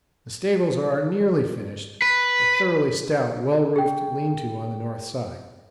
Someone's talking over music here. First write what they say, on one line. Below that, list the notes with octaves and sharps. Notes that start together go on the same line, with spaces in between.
The stables are nearly finished--a thoroughly stout well-roofed lean-to on the north side.
B4
G#4 G5